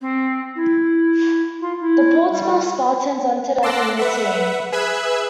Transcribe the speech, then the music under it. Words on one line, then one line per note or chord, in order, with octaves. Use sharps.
The Portsmouth Spartans entered as a new team.
C4
E4
F4
E4
G3
A5 C6 D6 E6 F#6 A#6
B4 E5 F#5
G#4 B4 E5 E6 F#6 G#6